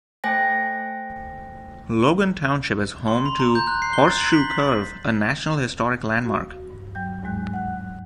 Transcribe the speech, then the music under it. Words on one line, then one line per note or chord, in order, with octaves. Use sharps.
Logan Township is home to Horseshoe Curve, a National Historic Landmark.
A3 C5 G5 G#5 A#6
C6
B5
A#5
G6
F#6
C7
G7
A6
F#7
B6
B6
F#4 F5
G2
F#3 G5 G6
D#2 G#2 F#3 G#3 F#6
F#5 F#6